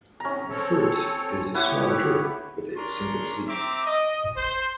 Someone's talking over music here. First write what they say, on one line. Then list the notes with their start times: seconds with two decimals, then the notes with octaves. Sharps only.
The fruit is a small drupe with a single seed.
0.20 A2 C3 C#4 A#5
0.50 C4 A4 C#5
1.54 B3 E4 G4 B4 C#5 F#5
2.77 C#4 D4 A#4 A#5 C6 C#6
3.48 C4 E5 A#5 D6
3.86 D#5
4.37 C5